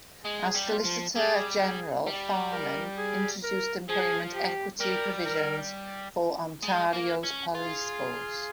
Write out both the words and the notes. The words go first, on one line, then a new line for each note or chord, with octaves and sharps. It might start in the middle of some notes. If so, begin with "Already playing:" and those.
As Solicitor-General, Farnan introduced employment equity provisions for Ontario's police force.
G#3 G#4
G3
F4
F3
G3 G#4
G#4
G3
A#4
G#4
A#4
F3 G#4
G4
G3 A#4
A#4
G#3
A#3
C#4
F4 G#4